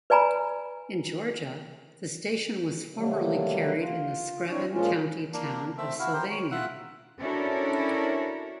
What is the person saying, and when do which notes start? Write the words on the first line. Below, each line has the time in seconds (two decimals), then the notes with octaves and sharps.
In Georgia, the station was formerly carried in the Screven County town of Sylvania.
0.10 B4 D5 G#5 A#5 B5
2.95 C3 D#3 F#3 G3 A3 A#3
3.79 F4
4.49 C4 D4 E4 C#5
4.71 A#2 F3 G#3 C#4 F4
5.33 A#3 D4
5.78 A3 C4 E5
5.99 E4 F#4 F5
6.13 G4 A#4 C5
6.31 C#5
6.51 F4 E5 F#5 F#6
7.19 C#4 D4 E4 F#4 A4 A#4